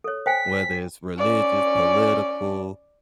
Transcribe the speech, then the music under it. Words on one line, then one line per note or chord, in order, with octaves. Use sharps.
whether it's religious, political,
A4 C#5
C5 G5 G#5 B6
C#4 D5